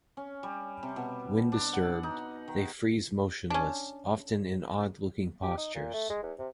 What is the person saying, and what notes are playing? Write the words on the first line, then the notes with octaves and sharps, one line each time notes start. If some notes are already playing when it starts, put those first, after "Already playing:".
When disturbed, they freeze motionless, often in odd-looking postures.
C#4
G3
C3
B2
D4
F#5
D#4
D#3
C#4 D4
G4
D#4
A#2
A3
G#3
E2
C3